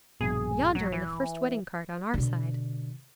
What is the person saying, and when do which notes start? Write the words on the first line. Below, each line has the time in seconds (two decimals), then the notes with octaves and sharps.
"Yonder, in the first wedding-cart, on our side."
0.21 A#1 G2 B2 G#4
0.75 F#3
0.92 E3
2.14 B2 D3